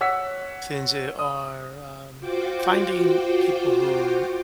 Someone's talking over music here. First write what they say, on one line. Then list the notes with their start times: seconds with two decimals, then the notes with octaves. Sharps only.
things that are, um, finding people who
0.01 C#5 F#5 E6 B6
1.19 D#6
2.19 F4 F#4 C5 G5 D6